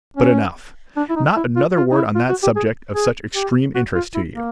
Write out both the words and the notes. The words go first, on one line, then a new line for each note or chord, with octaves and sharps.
But enough ... not another word on that subject of such extreme interest to you.
C#4
D4
E4
D#4
E4
F4
F4
D#4
E4
F4
F#4
G4
G#4
G#4
G4
F#4
F4
E4
A#3